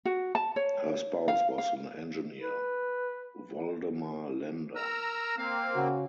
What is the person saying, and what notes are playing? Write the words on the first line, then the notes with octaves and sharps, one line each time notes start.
Her spouse was an engineer Voldemar Lender.
F#4
A5
C#5
F5
F5
B4
A#4 A#5 E6
A#3 C4 F5
C#3 F#4